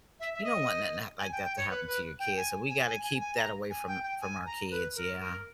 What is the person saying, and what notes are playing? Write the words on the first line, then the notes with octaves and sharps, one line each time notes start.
you don't want nothing like that to happen to your kids, so we gotta keep that away from from our kids, yeah.
E5
E5
D#5
G#5
G5
G5
C#5
B4
B4
G5
G#5
G#5
G#5
G#5
G#5
A#5
G#5
G5
G5
G#5
A#5
B4
A#4
A#4